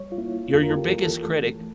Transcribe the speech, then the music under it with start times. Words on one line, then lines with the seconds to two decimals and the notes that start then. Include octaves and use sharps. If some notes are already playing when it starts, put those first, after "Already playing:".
you're your biggest critic,
Already playing: G3 C#5
0.12 F4
0.18 A#3 E4
0.53 F2 F4
0.63 A#4
0.70 A4
0.77 G4
0.90 E3
1.02 A4
1.25 A3